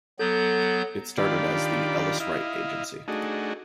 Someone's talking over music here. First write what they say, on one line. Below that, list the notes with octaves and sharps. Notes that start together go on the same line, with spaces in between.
It started as the Ellis-Wright Agency.
F#3 B3 A4 G6
D#3 D4 F4 G4 D5 B5
E4 D#5 F5
A3 D4 D#4 F#4 G#4